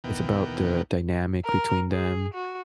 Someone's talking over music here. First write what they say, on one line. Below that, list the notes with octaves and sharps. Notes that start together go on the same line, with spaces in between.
it's about the dynamic between them,
D#2 B2 E3 B3 A#4 G5
A#4
G#4
F#4